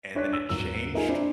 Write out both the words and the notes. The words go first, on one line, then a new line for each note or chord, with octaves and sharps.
and then it changed,
D4 C#5 F#6 B6
E6
D#1 G#1 F#3 E6
A#3 D#4 F4 G#4
C4 D4 E4